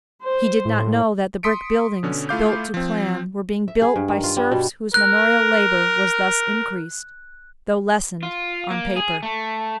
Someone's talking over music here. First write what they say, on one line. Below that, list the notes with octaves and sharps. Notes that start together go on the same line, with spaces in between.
He did not know that the brick buildings, built to plan, were being built by serfs whose manorial labor was thus increased, though lessened on paper.
C5
A2
C6 D#6 B6 C#7 D7
B2 D3 C#4
A3 E4 F4 F5 D6 G6
F3 C4
E5
G#4
G2
D#3
F4
G3
B2
A#4 F#6
F4
A#3
G#4
A3